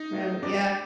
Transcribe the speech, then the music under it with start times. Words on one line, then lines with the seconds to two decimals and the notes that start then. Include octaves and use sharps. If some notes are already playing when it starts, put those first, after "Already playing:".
Habit, yeah.
Already playing: D#4 D#5
0.13 F#3 A3
0.42 F2 D4 D5